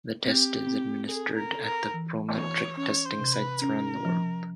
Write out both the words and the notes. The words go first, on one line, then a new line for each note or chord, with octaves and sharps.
The test is administered at the Prometric testing sites around the world.
C4 G4
C4
G#4 A4
A#4
A4
A#4
E3
E3 C#5
C#4 C#5
C5
C3
B4
C#4 A#4
F3